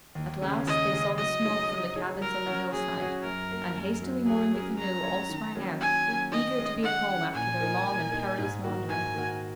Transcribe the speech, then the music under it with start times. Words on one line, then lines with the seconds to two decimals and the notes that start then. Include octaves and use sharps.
At last they saw the smoke from the cabins on the hillside, and, hastily mooring the canoe, all sprang out, eager to be at home after their long and perilous wandering.
0.15 D#2
0.41 C#3 G#3 C#4
0.66 D#2 D#5
0.92 C#3 G#3 C#4
1.18 F#3 D#5
1.44 D#4 G#4 C#5
1.70 F#3
1.96 D#4 G#4 C#5
2.21 F#3 A#4
2.46 C#4 F#4 C#5
2.72 F#3 G#4
2.98 C#4 F#4 C#5
3.24 F#2 A#4
3.49 F#3 A#3
3.75 F#2
4.01 F#3 A#3
4.26 F#3 G#4
4.52 C#4 A#4 C#5
4.77 F#3 A#5
5.04 C#4 A#4 C#5
5.30 D#3
5.55 F#3 A#3 C#4
5.81 D#3 G#5
6.07 F#3 A#3 C#4
6.32 D#3 D#5
6.58 G#3 C#4
6.83 D#3 F#5
7.09 G#3 C#4
7.34 A#2 G#5
7.60 A#3 D#4 A#4
7.87 A#2
8.12 A#3 D#4 A#4
8.38 G#2
8.64 D#3 A#3 F#4 A#4
8.89 G#2 G#5
9.15 D#3 A#3 F#4 A#4